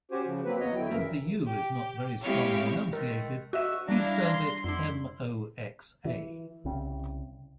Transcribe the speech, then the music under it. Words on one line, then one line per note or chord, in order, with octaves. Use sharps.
As the u is not very strongly enunciated, he spelled it "Moxa".
C#4 F#4 G4 C5 G#5
C#3 F3
F#3 A#3 C4 B4
E2 F#3 B3 C#5 D#5
D3 F#3 E4 G5
F#2 C#3 E3 A#4 E5
G4
G#3 C4 E4 G4 C#5 F5
D#3 G#3 A3 A#4
D2 F#4 D#5 E5 C#6 E6
G3 D4 E4 F5 A#5
C6 G#6
F2 D3 A3 D4 E4
E3
C2 C#3 C4